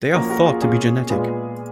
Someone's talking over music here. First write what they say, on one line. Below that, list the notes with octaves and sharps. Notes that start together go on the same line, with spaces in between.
They are thought to be genetic.
F3 A#3 C#4 F#4 A#4
F#4 A#4
F4 G#4
B2 A#3 C#4 F4 G#4
A#2 G#3 B3 F4 G#4